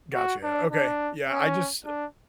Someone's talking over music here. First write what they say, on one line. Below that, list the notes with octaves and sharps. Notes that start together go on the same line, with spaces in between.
gotcha. Okay, yeah. I just
F#4
D4
D4
C#4
D4